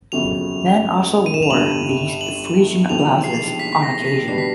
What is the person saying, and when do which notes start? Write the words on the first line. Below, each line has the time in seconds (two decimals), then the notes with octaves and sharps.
Men also wore these "Frisian blouses" on occasion.
0.12 G1 F2 C#3 F#3 F7
1.26 D#7
1.34 E7
1.42 F7
1.50 G1 G2 D3 F#7
2.21 F#7
2.89 E1 D#2 D3 F3 F7
3.24 C7
3.59 B6
3.72 B6
3.83 A#6
4.05 B6
4.28 B2 G3 B3 D4 C7
4.38 B6